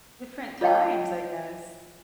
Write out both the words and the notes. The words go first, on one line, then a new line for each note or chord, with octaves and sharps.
Different times, I guess.
F4 C#5 D#5 F5 G5 A5